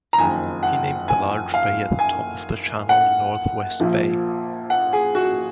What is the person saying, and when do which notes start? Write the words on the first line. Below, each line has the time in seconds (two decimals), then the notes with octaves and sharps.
He named the large bay at the top of the channel North West Bay.
0.13 A#5
0.17 F#1 F2 D#3 G#5
0.63 F#5
1.08 G#5
1.54 F5
1.99 G#5
2.89 F#5
3.80 A#1 A#2 F3
4.70 F#5
4.93 G#4
5.15 F#4